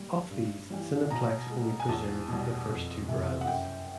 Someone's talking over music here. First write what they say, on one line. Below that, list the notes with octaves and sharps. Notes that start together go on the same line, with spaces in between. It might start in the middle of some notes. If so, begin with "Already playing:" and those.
Of these, Cineplex only preserved the first two brands.
Already playing: A#2 G3
G2
E3 G3
B2 A#5
G#3
G#5
E2 A5
B2 G3
F2
C3 E3 A3
F#5
F#2 G5